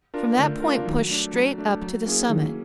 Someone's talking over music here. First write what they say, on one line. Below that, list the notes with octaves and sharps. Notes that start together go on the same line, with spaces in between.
From that point push straight up to the summit.
D4 F4 A#4
D3 A3
D4 F4 A#4
D#3 F#3
A3 D4
F#3
A3 D4
F#3
A#3 C#4 E4 G#4
D#3 F#3